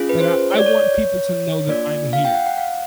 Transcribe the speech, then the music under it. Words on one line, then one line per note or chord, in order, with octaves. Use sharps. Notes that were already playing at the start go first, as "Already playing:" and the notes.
like, I I want people to know that I'm here.
Already playing: C#4 F4 G#4
B4
C5
C#5
D5
C#5
A#3 D4 F4 D5
F5
G5
F#5
F#5
F5